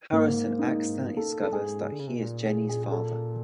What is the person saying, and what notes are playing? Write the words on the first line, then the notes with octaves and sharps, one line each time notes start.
Harrison accidentally discovers that he is Jenny's father.
G#2 A#3
D#4
A4
A4
G#2 G#4
D3
C#3
C3
B2
A#2
G#4
G#4
G#4
A4